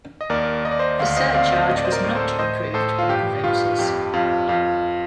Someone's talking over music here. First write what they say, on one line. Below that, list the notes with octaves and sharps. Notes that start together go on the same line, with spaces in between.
The surcharge was not approved by the voters.
D#5
D#2 A#4 D5
D#2 D#5
D5
C5 D#5
D2 D5 F5
C5 D#5
C4 D5 F5
C5 D#5
A2 D#5
D5
C5 D#5
A#4 D5
A2
A4 C5
A2 C5 D#5
A2 A4 C5
F4
G2 G4
G2 F4
F2 G4
F2 F4
F2 F4